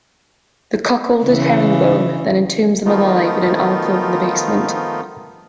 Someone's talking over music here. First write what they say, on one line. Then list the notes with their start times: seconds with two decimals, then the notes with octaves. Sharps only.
The cuckolded Herringbone then entombs them alive in an alcove in the basement.
1.25 C#3 E3
2.86 D#3 F3 A3 B3 D#4 F4